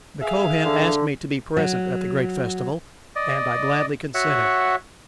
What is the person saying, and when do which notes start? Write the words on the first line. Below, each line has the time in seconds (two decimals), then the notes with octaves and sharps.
The Kohen asked me to be present at the great festival, and I gladly consented.
0.22 G#4 E5 F5
0.65 D3
1.57 F#3
3.16 D5 D#5
4.15 F#4 C#5 E5 F#5